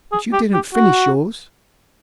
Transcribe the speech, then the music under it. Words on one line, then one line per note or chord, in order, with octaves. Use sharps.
But you didn't finish yours.
G#4
G4
G4
F#4